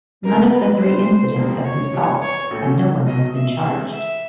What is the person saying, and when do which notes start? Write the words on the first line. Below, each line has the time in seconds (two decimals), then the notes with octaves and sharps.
None of the three incidents have been solved and no one has been charged.
0.23 C2 C3 E3 G3 A#4
0.51 B4
0.80 D3 G3 B3 C5
1.36 F2 C3 F3 A#3
1.65 C#5
1.93 G2 E3 G3 B3
2.22 C#5
2.51 A#1 A2 F#3 A3
3.06 B1 B2 F#3 D#5
3.34 E5
3.63 D2 C3 E3 G#3
3.92 E5